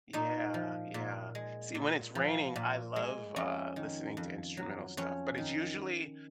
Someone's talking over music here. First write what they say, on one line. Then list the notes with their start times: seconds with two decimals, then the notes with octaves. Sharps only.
Yeah, yeah. See, when it's raining, I love, uh, listening to instrumental stuff. But it's usually
0.13 A#2 D#4
0.54 F3
0.94 A#2
1.35 G#3
1.75 A#2
2.15 F3
2.56 A#2
2.96 G#3
3.36 F2 C#4
3.76 D#3
4.17 F2
4.57 F#3
4.97 F2 C#4
5.38 D#3